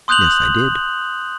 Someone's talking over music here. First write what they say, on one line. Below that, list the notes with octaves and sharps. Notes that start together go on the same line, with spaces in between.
"Yes, I did."
C6 D#6 F#6 G6 F7 F#7